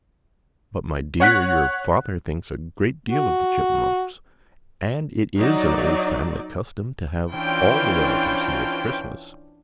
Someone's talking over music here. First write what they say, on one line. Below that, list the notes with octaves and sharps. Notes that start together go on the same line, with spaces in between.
"But, my dear, your father thinks a great deal of the Chipmunks; and it is an old family custom to have all the relatives here at Christmas."
C#5 F#5 F#6 B6
F#4
F#3 D#4 D5
E3 C#4 D4 F4 C5 G5